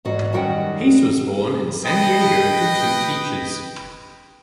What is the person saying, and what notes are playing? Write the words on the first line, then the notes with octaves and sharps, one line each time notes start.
Peace was born in San Diego to two teachers.
E2 G#2 F#4
F#2 D#3 G3 F#4 F#5 G5
B4 D#5 G5